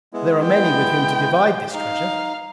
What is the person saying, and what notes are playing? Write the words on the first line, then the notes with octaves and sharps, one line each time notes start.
"But there are many with whom to divide this treasure...."
G#3 B3 E4
G5
D#4 F5